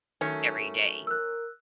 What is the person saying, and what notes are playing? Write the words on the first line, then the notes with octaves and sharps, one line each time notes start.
every day,
D#3 F#3 A3 C#4
A#4 E6 F#6